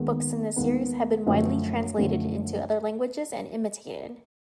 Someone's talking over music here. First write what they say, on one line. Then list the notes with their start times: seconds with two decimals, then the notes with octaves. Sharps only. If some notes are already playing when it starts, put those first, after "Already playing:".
Books in the series have been widely translated into other languages and imitated.
Already playing: D#2 D#3 G#3 B3
0.56 D#2 D#3 G#3 B3
1.26 F#2 D3 F3 A3
1.98 F#2 D3 F3 A3